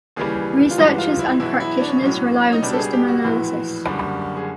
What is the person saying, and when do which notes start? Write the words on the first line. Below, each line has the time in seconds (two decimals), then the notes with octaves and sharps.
Researchers and practitioners rely on system analysis.
0.16 D#2 C#3 E3 G3 G#4
0.71 F4
0.78 A1 G2 E3 G#3 F#4
0.98 F4
1.19 E4
1.40 E2 B2 F#3 E4
1.60 E4
1.80 D4
1.89 C#4
2.01 B1 A2 F#3 C#4
2.53 D#4
2.62 C#2 B2 G3 D4
2.73 A4
2.78 G#4
2.93 G4
3.08 F#4
3.24 A#1 A2 E3
3.85 F#1 F#2 D3 G3
4.37 G#4